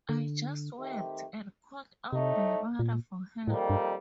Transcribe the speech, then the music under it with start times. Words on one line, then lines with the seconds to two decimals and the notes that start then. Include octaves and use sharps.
I just wept, and called out to my mother for help.
0.09 D3
0.78 D#3 A3 C4 G4
2.12 A2 C3 A3 D#4
2.79 A#2
3.47 F2 A2 D#3 G3 A#3
3.70 G2